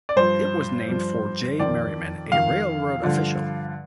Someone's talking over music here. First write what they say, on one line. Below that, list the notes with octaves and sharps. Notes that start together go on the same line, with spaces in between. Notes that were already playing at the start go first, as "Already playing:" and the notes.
It was named for J. Merriman, a railroad official.
D5
G2 F3 C5
G2 F3
F2 D#3 D5
F2 D#3 F5
G2 D3 F3